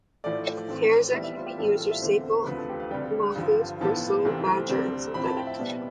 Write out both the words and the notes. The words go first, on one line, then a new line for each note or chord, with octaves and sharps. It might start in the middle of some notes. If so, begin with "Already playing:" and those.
Hairs that can be used are sable, mongoose, bristle, badger and synthetic.
A2 F3 A3 D5
A2 E3 A3 C4
A2 E3 G3 B3 E5
E5
F4
G4
A2 E3 G3 C4 A4
F4
A4
E5
E2 D3 A3 C4 C5
D2 C3 F3 B4
A4
G4
F5
D2 C3 G3 G5
G2 D3 F3
A2 F3 B3 A5
C2 C3 E3 A3 C4
D2 C3 G3 C4
A2 F3 C4 B5
A5
G5
E5
B2 G3 B3